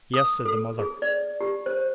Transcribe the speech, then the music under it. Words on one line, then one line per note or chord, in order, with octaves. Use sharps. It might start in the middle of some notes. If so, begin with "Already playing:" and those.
"Yes," said the mother.
D#6
A4
G#4
D5
G4
C5